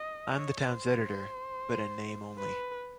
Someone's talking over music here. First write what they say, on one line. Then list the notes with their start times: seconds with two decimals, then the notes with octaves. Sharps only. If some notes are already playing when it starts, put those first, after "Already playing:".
I’m the town’s editor, but in name only.
Already playing: D#5
0.30 C#5
0.64 C5
2.39 B4